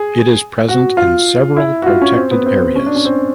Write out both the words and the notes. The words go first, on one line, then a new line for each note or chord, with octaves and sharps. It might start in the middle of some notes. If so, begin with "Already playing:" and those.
It is present in several protected areas.
Already playing: G#4
F#4
F4
E4
F#4
F4
C#4
C4
B3
C4
C#4
D4
C#4
C4